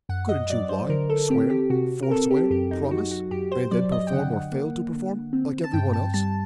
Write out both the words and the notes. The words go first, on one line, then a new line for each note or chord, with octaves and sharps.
Couldn't you lie, swear, forswear, promise, and then perform or fail to perform, like everyone else?
F#2 F#5
D#5
F#3 D5
C5
D3 A#4
A4
C4 G4
G4
C3 F#4
A#4
C4 A4
G4
F#2 G4
D#4
F#3 F#4
F#4
F#2 G4
C5
F#3 D5
D#5
G5
D3 F#5
A#3
D3
C4
A5
G2 G5
A5
G3 A5